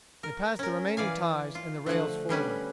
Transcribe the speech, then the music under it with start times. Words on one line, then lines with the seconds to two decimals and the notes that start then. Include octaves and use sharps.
They passed the remaining ties and the rails forward.
0.23 A#4
0.59 C#4 A#4
0.97 E3 D5 F5 G#5
1.55 F4
1.86 D3 F3 A3 F#5
2.29 D3 G3 C#4 B4